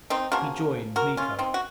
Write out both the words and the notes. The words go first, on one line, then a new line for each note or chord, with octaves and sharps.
He joined Miko.
C4 D#4
C#3 F3 A#3 F#4 A#4
F#4 A#4
C#4 F4
C4 D#4
F#4